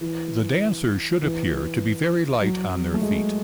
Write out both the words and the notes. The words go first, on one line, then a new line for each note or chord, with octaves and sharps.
The dancers should appear to be very light on their feet.
E3
E3
F#3
A3
G#3